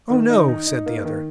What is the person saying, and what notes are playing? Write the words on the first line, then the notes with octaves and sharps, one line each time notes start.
"Oh no," said the other.
D#3
D#4
D#4
D#4
A#3
D#3